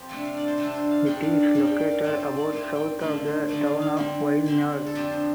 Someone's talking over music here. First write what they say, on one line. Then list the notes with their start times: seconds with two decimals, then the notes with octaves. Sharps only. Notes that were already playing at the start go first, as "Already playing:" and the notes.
It is located about south of the town of Wynyard.
Already playing: F3 C4 G4
0.09 C3 A3 D4
0.25 F5
0.37 D5
0.48 C5
0.58 C3 A3 D4 A4
0.74 C5
0.91 F5
1.06 G2 G3 D4 G5
1.23 F5
1.39 D5
1.54 G2 G3 D4 F5
1.67 G5
1.80 G5
1.91 F5
2.03 A2 A3 C4 D5
2.20 C5
2.37 D5
2.52 A2 A3 C4 F5
2.76 G5
2.99 D3 F3 A3 F5
3.26 C5
3.48 D3 F3 A3 D5
3.66 F5
3.82 F5
3.97 D3 G3 C4
4.46 D3 G3 C4
4.86 A4
4.95 F2 F3 D4 G4
5.12 C5